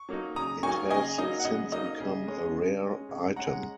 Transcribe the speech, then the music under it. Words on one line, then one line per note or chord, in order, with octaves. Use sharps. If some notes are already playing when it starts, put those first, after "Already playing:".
It has since become a rare item.
Already playing: C#6
F#3 A#3 D#4
C#3 A#5 D#6
F#3 A#3 D#4 G#5 C#6
C#3 D#5 G#5
F#3 A#3 D#4 D#5
F#5
C#3 D#5
F#3 A#3 D#4 D#5
C#3
G#3 C#4
C#3
G#3 C#4
C#3
G#3 C#4 F#5 A#5